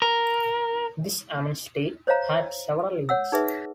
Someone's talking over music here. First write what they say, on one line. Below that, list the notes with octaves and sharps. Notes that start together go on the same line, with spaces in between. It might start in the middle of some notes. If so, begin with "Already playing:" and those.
This amnesty had several limits.
A#4
C5 C#5 D#5 F5 A#5
C#5 F#5 E6
D#4 G#4 B4 E5